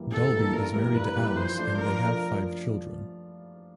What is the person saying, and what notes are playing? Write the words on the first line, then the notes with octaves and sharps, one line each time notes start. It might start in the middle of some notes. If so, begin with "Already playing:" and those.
Dalby is married to Alice and they have five children.
Already playing: G2 E3 G3 A#3
G2 A4
E3 G3 A#3
G2 A#4
E3 G3 A#3
G2 B4
E3 G3 A#3
F3 C5
A3 D4 F4
F3 A#4
A3 D4 F4